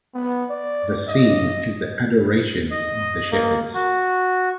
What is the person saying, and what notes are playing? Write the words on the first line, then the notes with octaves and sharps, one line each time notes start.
The scene is the Adoration of the Shepherds.
B3
D5
D#5
D#5
A#3
F#4